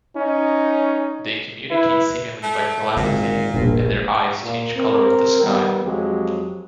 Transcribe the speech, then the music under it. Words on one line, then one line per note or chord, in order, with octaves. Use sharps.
They communicate seemingly by telepathy, and their eyes change colour with the sky.
C#4 D#4
E4 B4
A3
G#1 A#2 D3 D#3
E1 A#1 G2
A#2
C4 A#4
D#3 G3 B3
F2 F#3 G#3 G4